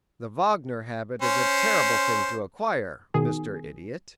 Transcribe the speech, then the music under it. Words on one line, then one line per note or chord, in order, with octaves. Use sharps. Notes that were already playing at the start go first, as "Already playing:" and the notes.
"The Wagner habit is a terrible thing to acquire, Mr. Idiot."
C#4 C5
B2 D#3 G#4